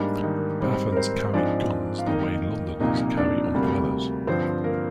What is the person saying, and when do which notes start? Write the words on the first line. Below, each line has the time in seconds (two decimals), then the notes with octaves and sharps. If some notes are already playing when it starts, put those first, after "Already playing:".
Pathans carry guns the way Londoners carry umbrellas.
Already playing: G#2 G3 A#3 D4
0.23 D#3 D#4
0.60 G#2 G3 C4
0.92 A#4
0.96 C4 C5
1.33 G#2 F3 G#3 C4 D4 D5
1.99 F5
2.07 F2 D#3 A#3 D#4 D#5
2.80 C2 A#2 F3 A#3 D#4 D#5
3.17 D4 D5
3.54 D2 C3 G3 A#3
4.27 G2 D3 F3 C4 C5
4.64 A#3 A#4